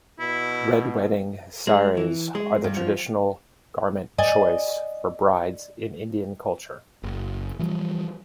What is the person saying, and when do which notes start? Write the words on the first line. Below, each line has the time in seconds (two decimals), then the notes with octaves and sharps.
Red wedding saris are the traditional garment choice for brides in Indian culture.
0.19 B2 E4
1.67 G#3
1.97 E3
2.35 G#3
2.64 G2
2.77 F3
4.18 D5 D#5 G#5
7.03 F#1
7.59 E3 F3 G3